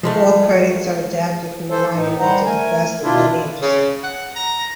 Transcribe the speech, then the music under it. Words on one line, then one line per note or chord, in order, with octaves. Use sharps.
All credits are adapted from the liner notes of "The Best of Lynn Anderson".
F3 G#3 A3
E3 A4 C5
A2 D#4
G3 C5 F#5 A#5
A3 A#4 G#5
B2 D4 E4 F4
C#3
F#5
A#5